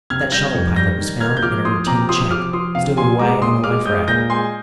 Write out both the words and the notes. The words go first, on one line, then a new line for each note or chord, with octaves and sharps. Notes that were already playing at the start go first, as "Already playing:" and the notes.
That shuttle pilot was found in a routine check, stowed away on the life raft.
C3 F6 G#6
G3 G6 A#6
F2
G3 G6 A#6
D#3
A#3 F6 G#6
G6
F3 D6 F6
F3 C6 D#6
C3 A#5 D6
F3 C6 D#6
F3 D6 F6
F3 C6 D#6
C3 F5
A#2 G#5 C6
G#3 A#5 D6
A#2 C6 D#6
G#3 D6 F6
G#3 D#6 G6
A#2 G6 A#6
G#3 G#5 C6